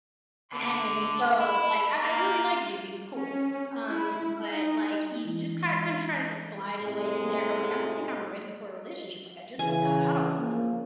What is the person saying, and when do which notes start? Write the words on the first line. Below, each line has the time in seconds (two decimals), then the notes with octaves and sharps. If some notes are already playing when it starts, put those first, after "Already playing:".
and so like I I really like dude, he was cool, um, but like, he just kind kinda tried to slide his way in there, and I'm like, "I don't think I'm ready for a relationship, like, I just got out of one
0.52 D3
1.39 E4
2.01 A#3
3.12 C#4
3.85 E4
4.40 D#4
5.24 E3 G#3 E4
6.82 A2 C3 G#3
9.59 C#3 E3 G#5
10.37 C#3 F3 A#3